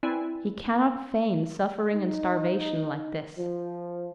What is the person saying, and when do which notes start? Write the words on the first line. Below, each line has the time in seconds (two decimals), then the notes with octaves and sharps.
He cannot feign suffering and starvation like this.
0.03 C4 E4 B4 D5 G#5 B5
1.92 D#4
3.37 F3